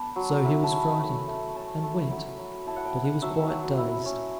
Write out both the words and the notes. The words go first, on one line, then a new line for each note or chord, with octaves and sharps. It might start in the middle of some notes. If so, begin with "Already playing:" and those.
So he was frightened, and went; but he was quite dazed.
Already playing: B3 D4 A5
F#3
E4 B5
A5
C#4
B5
A3
A3
C#4 A5
A3
F#3 B5
F#3
E4 A5
F#5
G5
B3
F#5
F#3 E5
F#3
E4
C#4